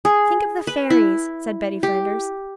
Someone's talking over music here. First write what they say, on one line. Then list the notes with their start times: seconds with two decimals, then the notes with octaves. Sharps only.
"Think of the fairies," said Betty Flanders.
0.05 G#4
0.67 B4
0.90 E4
1.83 G4